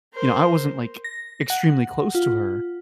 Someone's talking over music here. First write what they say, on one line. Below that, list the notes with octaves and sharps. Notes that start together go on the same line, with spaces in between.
you know, I wasn't, like, extremely close to her,
A#4 C5
A#6
F#5
F4